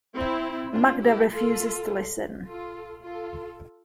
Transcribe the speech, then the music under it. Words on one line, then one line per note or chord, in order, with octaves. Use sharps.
Magda refuses to listen.
C4 E4
D4 F4
E4 G4
F4 A4
F4 A4
F4 A4